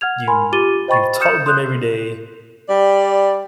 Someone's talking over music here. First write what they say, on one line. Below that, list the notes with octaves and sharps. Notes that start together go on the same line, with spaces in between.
"You You talk to them every day,
F#5 F6 G#6 F7
A#4 G#5 B5 C6
F4 G4 D6 A6 D#7 G7
C5 D#5 G5 B5 C#6 A6
D#6 F6 G6 C#7 E7
C6 D#6 F#6 G6
G3 D5